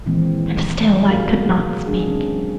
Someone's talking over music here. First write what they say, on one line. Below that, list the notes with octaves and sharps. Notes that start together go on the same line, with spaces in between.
And still I could not speak.
A#2 D#3 E3 G#3 A#3 C4
B2 C#4 F#4 G#4 A#4 F5
G#3 D4 G#4
F#3 C4 C#4